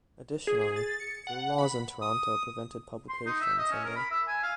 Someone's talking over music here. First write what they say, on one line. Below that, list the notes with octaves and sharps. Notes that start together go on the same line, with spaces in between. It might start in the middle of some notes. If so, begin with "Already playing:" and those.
Additionally, Blue laws in Toronto prevented publication on Sunday.
G#4
A6
C#7
F#5
B5
D#6
C6
D#4
E5
D#5
C#4
A#4
B5
E5
G#5
F5